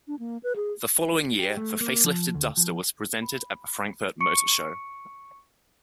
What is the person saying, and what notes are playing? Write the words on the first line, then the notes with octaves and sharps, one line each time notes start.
The following year, the facelifted Duster was presented at the Frankfurt Motor Show.
D4
A#3
B4
G#4
G4
A3
A#3
F3
D2
F3
B5
C#6 C#7 D7